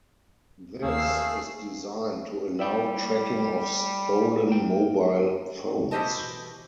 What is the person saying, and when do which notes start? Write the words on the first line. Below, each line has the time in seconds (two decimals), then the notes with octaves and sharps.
This is designed to allow tracking of stolen mobile phones.
0.82 D#2 A3 A#3 C#4 G#4 E6 C7
2.59 G3 E4 E5 G5
4.47 A#3 G5
5.91 B2 E3 G4 C5 D#5 A5